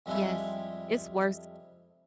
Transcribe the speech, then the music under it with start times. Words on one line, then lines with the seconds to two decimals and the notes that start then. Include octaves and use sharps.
Yes. It's worse.
0.06 F2 G3 G#3 D4 E4 F4